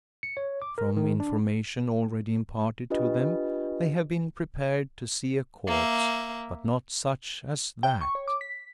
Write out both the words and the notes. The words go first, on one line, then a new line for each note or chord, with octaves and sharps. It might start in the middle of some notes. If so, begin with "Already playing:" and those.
From information already imparted to them they have been prepared to see a corpse, but not such as that!
C#7
C#5
D6
A#4
D#3
D4
D4 F4 G4 B4 D#5
A#3 E5
G5
C#6
C#5
D6
B6